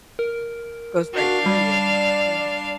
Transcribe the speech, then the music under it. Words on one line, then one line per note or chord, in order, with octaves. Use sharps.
Goes right through you, mhm.
A#4
D4 F#4 F5
G3 D5